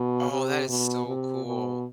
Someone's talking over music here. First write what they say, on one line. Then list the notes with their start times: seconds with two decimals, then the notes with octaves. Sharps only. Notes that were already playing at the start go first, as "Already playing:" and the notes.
Oh, that is so cool.
Already playing: B2
0.32 C3
0.69 B2
1.07 C3
1.46 B2